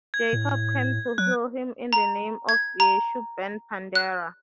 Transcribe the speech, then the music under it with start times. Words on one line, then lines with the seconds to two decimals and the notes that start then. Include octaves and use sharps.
Jacob came to heal him in the name of Yeshu ben Pandera.
0.14 G#6
0.33 A2
1.18 F#3 F#6
1.93 A#5
2.49 G#6
2.80 A#5
3.95 F#6